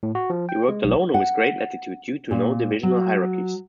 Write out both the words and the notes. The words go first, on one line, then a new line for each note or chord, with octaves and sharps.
He worked alone and with great latitude due to no divisional hierarchies.
A2
F#4
F3
G5
G#3
B1
F#5
A#2
F#3